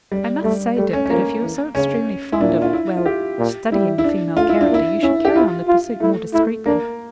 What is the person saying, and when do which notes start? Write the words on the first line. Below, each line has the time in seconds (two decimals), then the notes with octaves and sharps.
I must say, Dick, that if you are so extremely fond of--well--studying the female character, you should carry on the pursuit more discreetly.
0.12 G3
0.43 G3 A3
0.77 G3 A3
0.93 C#4
1.06 C#4
1.10 F3 A#3
1.42 E3
1.75 C#3 C#4
2.32 E4
2.40 A#2 D4
2.62 F4
2.73 E4
2.97 F4
3.06 G4
3.38 A#2
3.72 G3 E4
3.98 E4
4.04 D4
4.37 A3 F4
4.49 E4
4.61 D4
4.70 A#3 E4
5.03 C#4 E4
5.25 G4
5.35 E4 F4
5.68 F4
6.00 A3 E4
6.33 A3 E4
6.66 A#3 D4